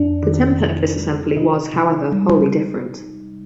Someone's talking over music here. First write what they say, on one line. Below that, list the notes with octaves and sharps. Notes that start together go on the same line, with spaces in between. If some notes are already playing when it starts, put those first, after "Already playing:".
The temper of this assembly was, however, wholly different.
Already playing: F2 D4
D#3
C3
G#3
C3 D#4
C3
G3